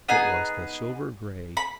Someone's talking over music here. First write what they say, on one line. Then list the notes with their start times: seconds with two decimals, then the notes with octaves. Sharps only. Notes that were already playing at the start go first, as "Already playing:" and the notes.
It was the "silver-gray."
0.08 B3 D#4 G#4 G#5
1.57 B5